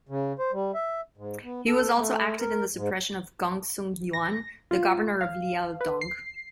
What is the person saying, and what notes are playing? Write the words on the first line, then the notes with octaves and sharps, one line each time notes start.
He was also active in the suppression of Gongsun Yuan, the governor of Liaodong.
C#3
C5
G3
E5
G#2
B3
A4
A3
A#4
G#2
A#6
F4
F5
B4
C7